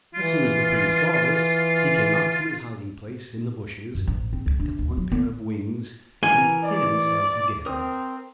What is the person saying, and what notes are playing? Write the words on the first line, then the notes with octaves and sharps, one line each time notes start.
As soon as the prince saw this he came out from his hiding-place in the bushes, picked up one pair of wings and hid himself again.
E3 F4
F#2
A1
C4
C#2
D4
D2
F#3
B3
E3 A#4 G#5
D5
C4 A#4 D#6